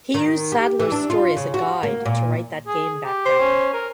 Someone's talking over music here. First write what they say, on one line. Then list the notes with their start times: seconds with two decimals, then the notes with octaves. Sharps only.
He used Sadler's story as a guide to write that game background.
0.14 D#3
0.52 G4
0.80 E3
0.92 D4
1.10 F4
1.37 C#3
1.54 F#4
1.83 A#3
2.05 A#2
2.67 G#4
3.04 G4
3.26 C5
3.39 C#4
3.74 A#4